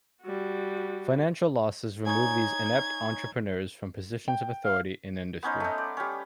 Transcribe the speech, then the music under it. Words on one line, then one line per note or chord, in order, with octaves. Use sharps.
Financial losses remove these inept entrepreneurs from positions of authority in industry.
G3 F#4
D#4 C#5 G#5 G#6
G5
F5
B3 C#4 D#4 C5
A3 D#4
D5
G3 C#4